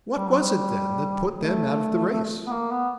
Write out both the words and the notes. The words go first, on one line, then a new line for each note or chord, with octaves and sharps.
What was it then, that put them out of the race?
G3
F#3
G3
A3
B3
A#3
B3